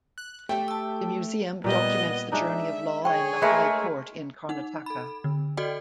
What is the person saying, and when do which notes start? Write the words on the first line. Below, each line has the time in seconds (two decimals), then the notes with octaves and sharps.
The museum documents the journey of law and the high court in Karnataka.
0.18 F#6
0.49 A3 G4 G5
0.68 A5 E6
1.64 A#2 G3 B3 D#5
2.32 G#3 D4 D#4 E5
3.05 G#4 C#5 G5 C#6
3.42 G#3 A3 A#4 B4
4.49 D#4 F#5
4.86 A4 B5
5.24 D3
5.57 F#4 A4 D5 D#5 G5